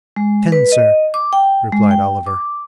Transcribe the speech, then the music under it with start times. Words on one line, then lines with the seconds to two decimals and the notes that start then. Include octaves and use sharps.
'Ten, sir,' replied Oliver.
0.16 G#3
0.52 B4
0.72 D#5
1.14 D6
1.33 G5
1.72 G#3
1.91 G5
2.26 D6